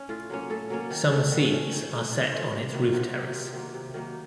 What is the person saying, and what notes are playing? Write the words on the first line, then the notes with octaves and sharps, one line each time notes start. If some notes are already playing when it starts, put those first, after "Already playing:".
Some scenes are set on its roof terrace.
Already playing: C#4 D#4
A2 F4
F#3 A#3 C#4
A2 A4
F#3 A#3 C#4
D#3
A3 C#4 A4
D#3 F#4
A3 C#4
D#3
A3 C#4
D#3 F4
A3 C#4
C3
D#3 F#3 A#3
F4
C3 F#4
D#3 F#3 A#3
C3 F4
D#3 F#3 A#3
C3
D#3 F#3 A#3